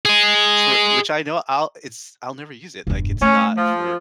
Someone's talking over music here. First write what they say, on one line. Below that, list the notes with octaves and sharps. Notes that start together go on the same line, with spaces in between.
for which I know I'll it's I'll never use it. Like, it's not for
G#4 D#5
E1 G2
A3 C#4
F3